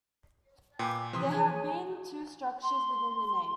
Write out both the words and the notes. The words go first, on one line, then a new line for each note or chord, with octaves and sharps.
There have been two structures with the name.
A#2 B4 G5 G#5 D6
C3 E3 F3 C6 D#6
G#4 C#5 G#5 G#6
C6